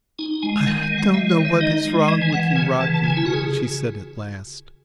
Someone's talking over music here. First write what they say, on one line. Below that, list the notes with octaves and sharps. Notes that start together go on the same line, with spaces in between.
"I don't know what is wrong with you, Rodya," she said at last.
D#4 G#5
G#3 G#5
D#3 F#5
G#5
G#3
F#5
G#3 E5
C#5
D#3
E5
D#4 D#5
G#3
E3 D#5
G#5
E3 F#5
C#3 G#5
E3 A5
A5
C#3 G#5
E4
C#3 F#4
G#4